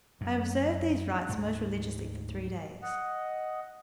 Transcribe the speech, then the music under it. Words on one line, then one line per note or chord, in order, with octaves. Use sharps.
I observed these rites most religiously for three days.
F#2
D2 G#2 A3
D#5 F#5